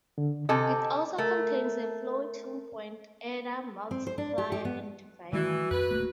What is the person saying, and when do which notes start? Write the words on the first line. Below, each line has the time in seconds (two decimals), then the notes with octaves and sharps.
It also contains a floating point adder, multiplier, and divider.
0.18 D3
0.49 C3 A4 D#5 G#5
1.18 A3 A#4
3.91 C4
4.07 C5
4.18 D4
4.38 G4
4.52 G4
4.65 B3
5.33 D#3 E3 G3 A3 F#4
5.71 F2 B4
5.91 D1 A3 A#3